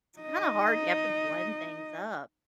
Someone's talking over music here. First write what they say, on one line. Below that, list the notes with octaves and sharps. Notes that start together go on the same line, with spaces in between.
it's kinda hard, you have to blend things up,
D#4 D#5